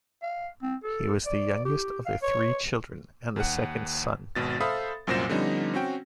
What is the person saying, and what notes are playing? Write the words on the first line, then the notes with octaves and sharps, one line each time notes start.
He was the youngest of their three children, and the second son.
F5
C4
A4
D5
G4
F5
C#5
D#2 F#5
G#1 B2 A6
A4 C5 E5 F5 B5 D#6
C2 F#2 A#2 C5 A#6 E7
D3 F3 G3 B3 C#4 D#4
C4 C#4 F#4 G5